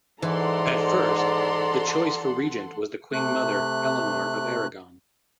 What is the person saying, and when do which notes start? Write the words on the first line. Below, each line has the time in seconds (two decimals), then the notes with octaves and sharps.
At first, the choice for regent was the Queen mother Eleanor of Aragon.
0.22 G#2 E3 A4 D5 F#5 A#5 C6
3.13 C3 A3 F#6